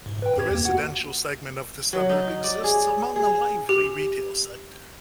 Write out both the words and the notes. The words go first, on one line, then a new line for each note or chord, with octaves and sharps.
The residential segment of the suburb exists among a lively retail sector.
G#2
B4 G5
F2 G4 G#6
E2 A#3
F#4 F#5
F#3
D#4
D5
G#4
G#4
G4